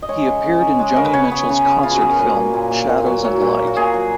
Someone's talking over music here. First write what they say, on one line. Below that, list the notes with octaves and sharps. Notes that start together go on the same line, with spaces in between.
He appeared in Joni Mitchell's concert film "Shadows and Light".
D#5
G#3 C#5
C#3
C#3
C#3
G#3
C#3 A#4
B4
C#3 C#5
B3
C#3
C#3
C#3 F4
F#4
B3 G#4
A#4
A#2 B4
A#3
A#2
A#2
A#2
F#3
F#3
A#2
A#3
F#4
A#2 G#4
F#3